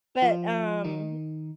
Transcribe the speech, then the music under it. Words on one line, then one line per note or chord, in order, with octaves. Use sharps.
But, um,
F3 F4
D#3 D#4